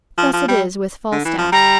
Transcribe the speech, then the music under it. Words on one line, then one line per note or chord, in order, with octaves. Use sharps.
Thus it is with Falstaff.
F3
F3
G3
D3
E3
F3
G3 A#5